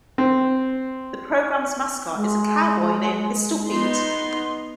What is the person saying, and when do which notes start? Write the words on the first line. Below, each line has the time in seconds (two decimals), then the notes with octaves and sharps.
The program's mascot is a cowboy named Pistol Pete.
0.18 C4
2.16 G#3
3.70 B3 D#4 C6